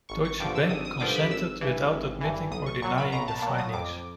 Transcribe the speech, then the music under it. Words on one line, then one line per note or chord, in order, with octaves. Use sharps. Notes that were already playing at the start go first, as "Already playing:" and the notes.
Deutsche Bank consented without admitting or denying the findings.
G#1 C#6
C#6
G2 D3 F3 D6
E6
G#1 D#6
D#6
G2 D3 F3 D6
B5
G#1 E6
G2 E3
G#1
G2 E3
B1 D#6
C#6
A#2 F#3 C#6
B5
B1 A#5
A5
A#2 F#3
D#6
F2 D6